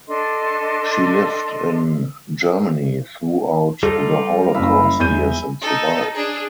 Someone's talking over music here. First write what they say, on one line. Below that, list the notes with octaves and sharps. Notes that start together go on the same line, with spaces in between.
She lived in Germany throughout the Holocaust years and survived.
D4 A4 D#5 C6
G3 D#4 F4 A4
F#1 E4 E5 F5 A#5
E2 G#5 G6 D#7
D#4 A4
D4 G#4